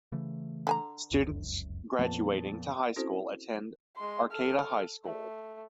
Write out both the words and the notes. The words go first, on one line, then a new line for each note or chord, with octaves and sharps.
Students graduating to high school attend Arcata High School.
C#3 E3 A3
D3 G#5 A#5
F1 C#2 F#2
F2 A#2 B3 A5
C4 C#4 E4 F#4 A4 C5
G#3 C6
A4 F6
A3